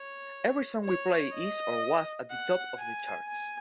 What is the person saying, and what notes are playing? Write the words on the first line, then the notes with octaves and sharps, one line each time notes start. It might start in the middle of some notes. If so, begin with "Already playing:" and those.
Every song we play is or was at the top of the charts.
Already playing: C#5
C#5
D#5
F#5
G#5
G#5